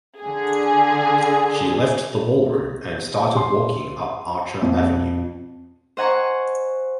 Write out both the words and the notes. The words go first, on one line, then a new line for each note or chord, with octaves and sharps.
She left the ballroom and started walking up Archer Avenue.
D3 G#4
C6
F2
C5 D#5 F#5 G#5 A#5 C#6